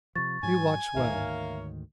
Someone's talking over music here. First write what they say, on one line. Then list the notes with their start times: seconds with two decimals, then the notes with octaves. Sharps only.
You watch well!
0.16 C3 F3 C#6 A6
0.43 G#2 F#3 G#5
0.95 D2 G#2 D#3 A#3 C#5 E5 F5